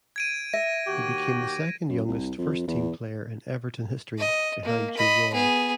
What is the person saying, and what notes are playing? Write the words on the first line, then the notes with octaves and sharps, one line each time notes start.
He became the second youngest first-team player in Everton history behind Joe Royle.
G#6 D7 D#7
E5 A#6
D#2 F#4 G4
F#2
C2
F2
E2
D#5
A#3
D#5 B5
B3 G#4